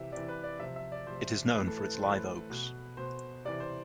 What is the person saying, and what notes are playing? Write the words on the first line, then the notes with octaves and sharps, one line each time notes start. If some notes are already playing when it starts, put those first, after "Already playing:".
It is known for its live oaks.
Already playing: C3 E3 G4 E5
C3 E3 D5
B4
D5
C3 F3 E5
E5
D5
C3 F3 C5
A2 E3 B4
A4
B4
C5
A2 E3 B4
B2
B2 C5
C3 E3 D5
C5